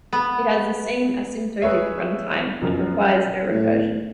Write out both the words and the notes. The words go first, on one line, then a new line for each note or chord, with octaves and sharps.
It has the same asymptotic runtime and requires no recursion.
B3
G#4 B4 C#5 E5
F#2 B2 F3 F#3
A2